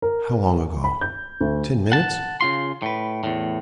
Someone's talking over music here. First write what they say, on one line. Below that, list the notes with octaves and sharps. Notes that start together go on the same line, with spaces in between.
How long ago? Ten minutes?
A#4
B5
G6
D2
F#5 A5
C#3 F4 C6
A2 B4
E2 A2